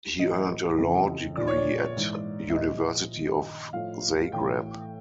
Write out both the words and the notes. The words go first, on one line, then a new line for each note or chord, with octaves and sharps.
He earned a law degree at University of Zagreb.
A2 E3 D#5
F2 C#3 E3
A#2 F3 D5
C#5
D5
G#2 E3
E5
A#2 F3 D#5
G2 D#3
A2 F3 F5
A2 E3 G5